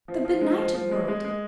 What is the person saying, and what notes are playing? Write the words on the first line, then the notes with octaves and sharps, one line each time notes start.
The benighted world!
F3
F3
G#3
F3
F3
G#3
G#3
G#3